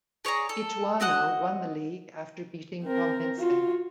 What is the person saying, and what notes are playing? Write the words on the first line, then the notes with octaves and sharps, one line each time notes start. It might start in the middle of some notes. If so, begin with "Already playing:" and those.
Ituano won the league after beating Tombense.
G#4 C#5 D5 A#5
A4
C4 F#4 D#5 F#5
C4 A#4
F4 F#4